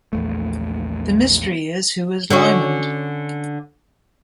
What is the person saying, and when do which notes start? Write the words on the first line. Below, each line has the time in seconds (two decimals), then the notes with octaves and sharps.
The mystery is who is Lymond?
0.13 A#1 E2 A3
2.30 D3 C#4 F#4